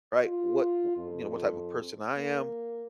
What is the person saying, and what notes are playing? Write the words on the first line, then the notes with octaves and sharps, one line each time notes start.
right, what, w what, you know, what type of person I am.
F4
F2
A#3